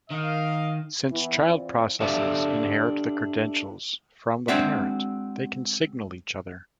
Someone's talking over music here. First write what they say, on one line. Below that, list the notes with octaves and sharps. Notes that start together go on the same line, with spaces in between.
Since child processes inherit the credentials from the parent, they can signal each other.
D#3 A#4 D#5 F5
E3 B3 E4
E3 C4 F4 D5
D4 G4 A4 E5 F5
G#3 C4 D4 F#4 E5